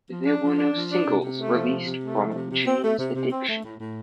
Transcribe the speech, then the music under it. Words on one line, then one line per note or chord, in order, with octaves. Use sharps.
There were no singles released from "Jane's Addiction".
F3
D4
F3
D4
F3
D4
C3
C3
A3
F3
C3
C3
A3
F3
C3
C3
C4
A3
C3
C3
C4
A3
A2
A2